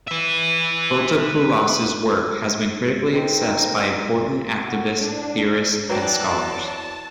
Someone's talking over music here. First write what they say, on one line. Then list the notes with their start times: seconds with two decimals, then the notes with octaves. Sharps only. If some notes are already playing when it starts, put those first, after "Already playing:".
Fotopoulos' work has been critically assessed by important activists, theorists and scholars.
0.08 B4 E5
3.12 C4 D#4 A#4
4.64 F#4
5.01 D4
5.90 E3 F#3 B4 C5 D5 G5 A5